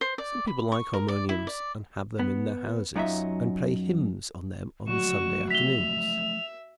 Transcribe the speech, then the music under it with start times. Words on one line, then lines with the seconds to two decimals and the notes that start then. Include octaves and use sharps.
Some people like harmoniums, and have them in their houses, and play hymns on them on Sunday afternoons.
0.01 C5
0.18 D5
0.47 B5
0.72 C#6
0.93 A#4
1.08 D5
1.29 E4
1.47 D5
2.19 B3
2.96 F#2 F#3 D#4 F4 E5
4.87 F3 F#3 A3 F#4 C#6 E7
5.50 E5 B6 F7 G7